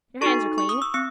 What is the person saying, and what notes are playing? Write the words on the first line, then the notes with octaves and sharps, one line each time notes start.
Your hands are clean.
D#4 F#4 A4 C#6
C#6
D#6
E6
C4 E6